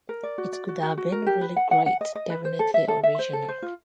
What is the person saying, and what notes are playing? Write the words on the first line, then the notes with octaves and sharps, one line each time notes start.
It could have been really great, definitely original.
A#4
D5
F#4
D5
F#4
F#4
F#4
A#4
G4
B4
F#5
F#5
F#5
D#5
D#5
B4
C5
A4
E5
A4
E5
C5
A4
C5
F4